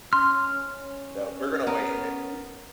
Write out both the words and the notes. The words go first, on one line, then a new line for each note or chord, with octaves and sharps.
no, we're gonna wait, eh, we
C#4 C6 F6
B3 A#4